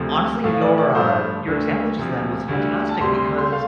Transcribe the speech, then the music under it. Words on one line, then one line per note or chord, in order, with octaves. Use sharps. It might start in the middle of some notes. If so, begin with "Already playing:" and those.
honestly, your, uh your example just then was fantastic because
Already playing: D2 C3 F3 A3
A2 F3 A3 F5
D5
D5
G2 F3 A3 C5
D2 D3 A3
D2 C3 F3
D2 D3 G3
A5
D2 C3 G3 C6
C6
C6
C6
A3 F5